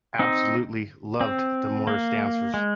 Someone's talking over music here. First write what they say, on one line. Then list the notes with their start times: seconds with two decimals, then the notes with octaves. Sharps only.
Absolutely loved the Morris dancers!
0.19 C4 D#4
1.21 C4
1.87 A#3
2.54 G#3